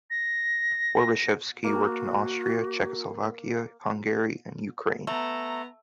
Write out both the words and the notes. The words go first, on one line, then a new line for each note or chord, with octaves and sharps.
Horbachevsky worked in Austria, Czechoslovakia, Hungary and Ukraine.
A#6
A#3 F#4
A3 B3 A#5